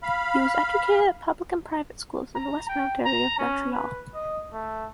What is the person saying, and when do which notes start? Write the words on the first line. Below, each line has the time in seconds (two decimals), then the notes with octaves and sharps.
He was educated at public and private schools in the Westmount area of Montreal.
0.03 F5 B5
2.35 A#5
2.69 G5
3.05 A#5
3.38 C#4
3.72 B4
4.14 D#5
4.53 A3